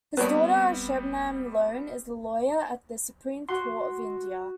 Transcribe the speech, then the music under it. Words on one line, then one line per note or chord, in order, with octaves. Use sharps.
His daughter Shabnam Lone is a lawyer at the Supreme Court of India.
G3 B3 C4 B4 C#5 D5
F#4 C6